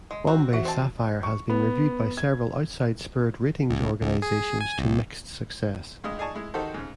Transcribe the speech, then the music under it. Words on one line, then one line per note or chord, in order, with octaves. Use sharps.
Bombay Sapphire has been reviewed by several outside spirit ratings organizations to mixed success.
G#3
C4 F#4
E3 F#4 E5 F#5
C4 A5
C#6
B3
G#6
C#2
C#2
G#4
G#5
C2
G2 G#3 D#5
D#4 G#4 D5 G#5 A5 C#6
G#3 E4
D#3 D#4 F#4 G4 A4 C5
G#2 C#3